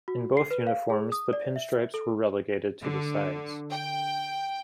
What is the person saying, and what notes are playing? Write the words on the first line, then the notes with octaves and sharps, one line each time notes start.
In both uniforms, the pinstripes were relegated to the sides.
F#4
C7
B4
F5
G#4
D#6
D5
E5
A4
D3
G5